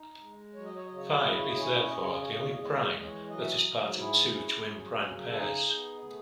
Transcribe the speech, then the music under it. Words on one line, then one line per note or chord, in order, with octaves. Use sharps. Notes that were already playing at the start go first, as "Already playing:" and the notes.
Five is therefore the only prime that is part of two twin prime pairs.
Already playing: D#4
G#3
F#3 C#5
D#5
C#5
C#3 D#5
C#5
D#5
C#5
E4 D#5
C#5
D#5
C#4 C#5
D#5
C#5
C#3 D#5
C#5
D#5
C#5
E2 D#5
C#5
D#5
G#3 C#5
D#5
C#5
E3 D#5
C#5
F#3 D#5
E5
D#5
G#2
E4 G#4
C#4
F#3
C#3
A4
D#4 G#4
B3
A3